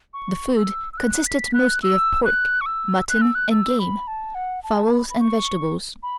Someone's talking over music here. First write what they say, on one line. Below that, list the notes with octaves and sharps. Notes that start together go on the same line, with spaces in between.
The food consisted mostly of pork, mutton and game, fowls and vegetables.
C#6
E6
E6
F#6
B6
F#6
E6
F#6
C#6
E6
F#6
E6
F#6
E6
B5
A5
F#5
A5
B5
B5
C#6
B5